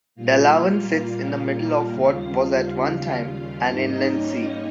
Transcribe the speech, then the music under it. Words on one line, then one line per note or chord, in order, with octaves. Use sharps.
Delavan sits in the middle of what was at one time an inland sea.
A#2 G3 A#3 F4 F5
D#2 C#3 G3 F4 F5
G#2 G3 A#3 D#4 D#5
C#4 C#5